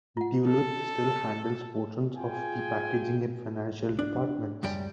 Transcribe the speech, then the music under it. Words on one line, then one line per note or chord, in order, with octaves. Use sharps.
Duluth still handles portions of the packaging and financial departments.
F4 F#5
A4
F4 G#4 G5 G#5
D4
C#2 F#2 G3 G5